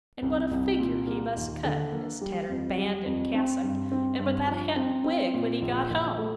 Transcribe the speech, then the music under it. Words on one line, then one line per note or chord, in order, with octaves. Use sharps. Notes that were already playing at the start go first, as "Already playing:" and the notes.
And what a figure he must cut in his tattered band and cassock, and without a hat and wig, when he got home.
C2
C2
A#2
A#3
D#2
D3
A#3
G3
F2
G3
F2
C4
G2
C4
G2
F3
C4
C4
A#2
A#1
A#1
A3